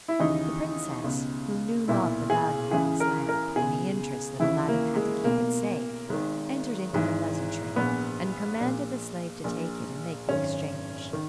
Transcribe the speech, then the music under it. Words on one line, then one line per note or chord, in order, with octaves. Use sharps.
The princess, who knew not the value of this lamp, and the interest that Aladdin had to keep it safe, entered into the pleasantry, and commanded a slave to take it and make the exchange.
E4
D#2 C#3 E3 D#4
C#2 B2
B1 A#2 E4
G#4
C#2 C#3 E3 G#4
A#4
A#4
B2 G#4
C#2
D#2 C#3 E3 E4
A#3
G#3
B1 B2 A#3
G#1 G#2 D#3
G#1 G#2 E3
A#1 A#2 B3
A#1 A#2
A#1 A#2
G#1 F#2 D#3 C#4
D#3